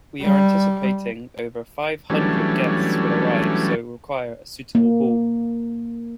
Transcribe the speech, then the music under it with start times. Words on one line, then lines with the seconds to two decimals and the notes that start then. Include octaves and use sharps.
We are anticipating over five hundred guests will arrive so require a suitable hall.
0.23 G3
2.10 E3 F#3 G3 A3 C#4 D4
4.75 A#3